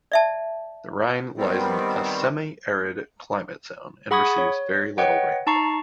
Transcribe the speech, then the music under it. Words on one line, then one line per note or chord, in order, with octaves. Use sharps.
The Ryn lies in a semi-arid climate zone, and receives very little rainfall.
D5 E5 A5
D#3 G3 B3 C4
G#4 F#5 B5 C#6 D#6 G#6
C#5
B4 C#5 D#5 F#5 G5
D#4 A5 A#5 C#6 C7